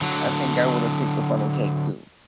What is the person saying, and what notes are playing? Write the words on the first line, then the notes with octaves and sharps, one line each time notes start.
I think I would've picked the funnel cake too.
D3 F#3